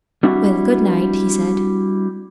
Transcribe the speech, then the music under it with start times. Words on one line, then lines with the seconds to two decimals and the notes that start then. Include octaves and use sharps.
"Well, good night," he said.
0.23 G3 C4 D4 E4 F#4 F#5